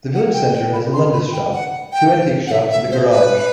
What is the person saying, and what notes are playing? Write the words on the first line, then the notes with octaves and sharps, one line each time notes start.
The village centre has a Londis shop, two antiques shops and a garage.
F#5
G5
G5
B5
C6
B5
G5
F#5
G5
F#5
E5
E5
C5
B4